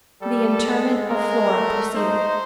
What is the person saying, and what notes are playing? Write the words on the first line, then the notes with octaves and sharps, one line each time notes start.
The interment of Flora proceeded....
G3 A4
G#3
G#3 A#4
A3
D#4 C5